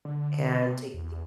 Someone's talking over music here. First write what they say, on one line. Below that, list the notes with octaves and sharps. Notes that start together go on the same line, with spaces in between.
and take the
D3
C3
E2
E2